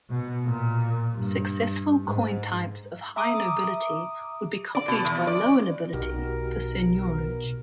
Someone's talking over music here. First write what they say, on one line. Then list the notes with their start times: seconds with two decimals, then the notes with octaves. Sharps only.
Successful coin types of high nobility would be copied by lower nobility for seigniorage.
0.10 B2
0.45 A#2
1.14 G2
2.05 G#2
3.16 E5 A#5 D6 D#6
4.75 D5
4.88 B2
5.04 E2
5.27 D5
5.93 B1 B2 D#4 F#4 G4 A#4